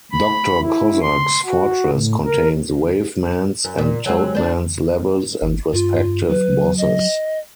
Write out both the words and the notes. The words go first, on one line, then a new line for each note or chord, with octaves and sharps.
Doctor Cossack's fortress contains Wave Man's and Toad Man's levels and respective bosses.
B5
E4
C6
F#4
A2
A#4
F#2
A#2
F#3 G#3 C4
D4 C5
G1
G2 F4
F#3 B4
D#5